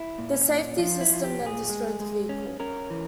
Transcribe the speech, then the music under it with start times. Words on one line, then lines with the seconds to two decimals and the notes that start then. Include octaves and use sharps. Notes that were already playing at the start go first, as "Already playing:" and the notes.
The safety system then destroyed the vehicle.
Already playing: E4
0.18 A#2
0.33 C#4
0.49 A#2
0.78 F3 F4
1.01 E4
1.09 F3 F4
1.24 G4
1.40 A#2
1.46 G#4
1.69 G#3
2.00 G#3
2.29 C#4
2.60 C#4 A#4
2.90 E3